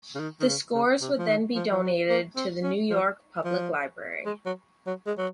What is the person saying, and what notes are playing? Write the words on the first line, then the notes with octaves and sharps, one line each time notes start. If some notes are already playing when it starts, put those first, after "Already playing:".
The scores would then be donated to the New York Public Library.
C#3
D#3
D#3
C#3
C#3
C3
F3
D#3
F3
F3
F#3
A#3
C4
C#4
F3
F3
G#3
F#3
F#3
G#3
F#3